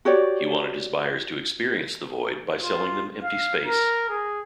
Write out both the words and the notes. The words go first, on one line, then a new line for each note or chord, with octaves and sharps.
He wanted his buyers to experience The Void by selling them empty space.
F#4 G4 C#5 D5
F4
F5
A#4
G#4